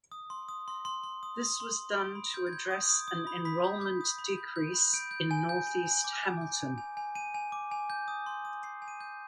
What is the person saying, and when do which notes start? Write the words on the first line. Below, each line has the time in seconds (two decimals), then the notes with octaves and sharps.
This was done to address an enrollment decrease in Northeast Hamilton.
0.12 D#6
0.30 C6
0.49 D#6
0.68 C6
0.85 C6
1.03 C6
1.23 D#6
1.42 D#6
1.60 C6
1.79 D#6
1.97 D#6 D7
2.15 B5
2.34 G6
2.47 G#6
2.53 G6
2.71 D#6
2.89 D#6
3.08 D#6
3.27 B5
3.45 B5 B6
3.64 G6
3.81 G6
4.01 D#6
4.19 B5
4.38 G6
4.56 G6
4.74 B5
4.94 G6 D7
5.11 G6
5.31 G#5
5.49 G6
5.67 G#5
5.86 G#5
6.04 D6
6.23 G#5
6.41 G6
6.60 G#5
6.78 G#5
6.97 G#5
7.15 G#5 D#7
7.34 G#5
7.52 D6
7.71 G#5
7.90 G6
8.08 D#6
8.26 C6
8.45 D#6
8.63 G#5 C7
8.82 G#5
8.88 D#7
9.01 G6